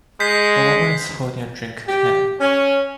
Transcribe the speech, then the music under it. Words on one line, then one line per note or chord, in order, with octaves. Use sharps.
A woman is holding a drink can.
G#3 G6 B6 C7
G4
C#4